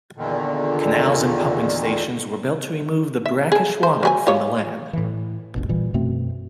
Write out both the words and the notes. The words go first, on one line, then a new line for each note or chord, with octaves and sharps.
Canals and pumping stations were built to remove the brackish water from the land.
E2 A#2 D3 D#3
E5
G#4 A4
C5
F#3 G#4 G#5
F4 G4 C#5
A2 E3
F1 A#1 B2
A#2 E3 G3
F#2 B2 A3 C4